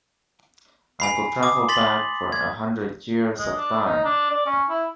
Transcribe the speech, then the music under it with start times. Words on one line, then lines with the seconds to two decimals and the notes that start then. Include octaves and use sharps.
I could travel back for a hundred years of time.
1.00 G#5 B5 C7
1.43 D6 D#6
1.69 C6 A6 B6 F#7
2.32 G#6
3.38 G#3
3.56 D4
3.84 D#4
4.04 D4
4.31 D5
4.46 C#4
4.69 E4